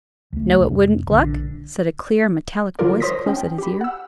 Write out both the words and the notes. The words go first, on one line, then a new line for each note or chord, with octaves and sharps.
"No it wouldn't, Gluck," said a clear, metallic voice close at his ear.
C#2 A3
F1
A#1 D3
D3 F#3 F4 A4 A#4 D5
C5 C#5 C6 D#6 A#6 B6
C#4 G5
G4 B5
F#5 E6